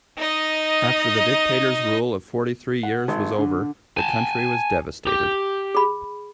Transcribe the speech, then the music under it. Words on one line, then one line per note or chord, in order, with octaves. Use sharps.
After the dictator's rule of fourty three years was over, the country was devastated.
D#4 D#5
F#5
G#1
D3
G#5 A5
G4
G#4 B5